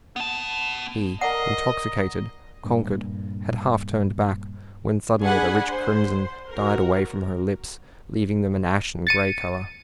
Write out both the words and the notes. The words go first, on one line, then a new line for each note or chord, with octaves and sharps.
He, intoxicated, conquered, had half-turned back, when suddenly the rich crimson died away from her lips, leaving them an ashen grey colour.
B3 A5
A#4 D5 D#5 F#5
G2 A#2
D4 G#4 F#5 G#5 B5
C5
F#4 A#4
A6 C#7 D#7